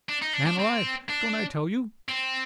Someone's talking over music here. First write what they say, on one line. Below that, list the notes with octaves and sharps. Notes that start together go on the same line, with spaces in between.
'Man alive, don't I tell you?
D4
D#4
D4
D4
C4
D4
C4